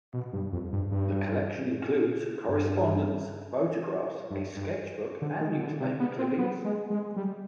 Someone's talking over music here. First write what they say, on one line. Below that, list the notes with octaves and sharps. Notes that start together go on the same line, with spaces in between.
The collection includes correspondence, photographs, a sketchbook, and newspaper clippings.
B2
G2
F2
G2
G2
G2
G2
G2
D3
D#3
D3
C3
B3
C4
B3
G#3
G#3
G3